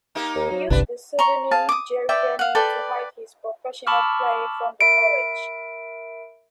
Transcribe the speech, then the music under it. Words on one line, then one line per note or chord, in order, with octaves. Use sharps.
He used the pseudonym "Jerry Denny" to hide his professional play from the college.
A#3 D#4 G4
D#2
F#3
G1 C2 G2 D4 B4
A#5 C6 C#6
G#4 F5 A5
D6 D#6
B4 D5 E5 G5
F5 F#5
A4 B4 D5 G5
A5 B5 C#6 D6 E6 F6
A#4 E5 B5 D7